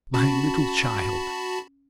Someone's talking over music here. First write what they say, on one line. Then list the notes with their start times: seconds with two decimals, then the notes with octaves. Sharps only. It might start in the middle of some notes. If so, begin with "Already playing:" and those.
"My little child!"
0.14 C#4 F#4 A5 B5